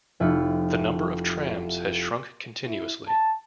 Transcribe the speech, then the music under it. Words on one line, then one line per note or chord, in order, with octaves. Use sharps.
The number of trams has shrunk continuously.
F1 E4 F4 C#7
E4
A5